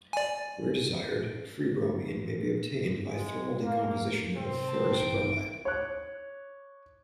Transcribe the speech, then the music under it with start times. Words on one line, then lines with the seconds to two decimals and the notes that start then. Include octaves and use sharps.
Where desired, free bromine may be obtained by thermal decomposition of ferrous bromide.
0.13 D5 G#5
3.04 G#3
3.62 A#3
4.36 C3 C4
4.67 A5
4.98 A1 G2 D#4 D7
5.65 C#5 F#6